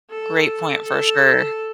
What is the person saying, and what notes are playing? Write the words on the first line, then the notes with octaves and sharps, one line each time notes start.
great point for sure.
A4
A4